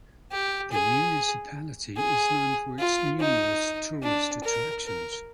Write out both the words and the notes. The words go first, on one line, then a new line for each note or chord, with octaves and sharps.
The municipality is known for its numerous tourist attractions.
G4
G#4
G#4
F4
D#4
D4
A#4
A#4